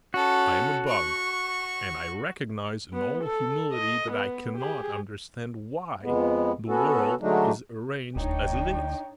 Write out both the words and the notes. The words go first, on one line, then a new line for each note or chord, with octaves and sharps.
I am a bug, and I recognize in all humility that I cannot understand why the world is arranged as it is.
C#4 F#4 A4
C#6
B3
A4
D#5
B3
G4 G#4
F2 G#3 B3
B3 C#4 F#4 A4
D3 F#3 G#3 A3 D4 D#4
D#1 D2 D4 D#4 C#5 G5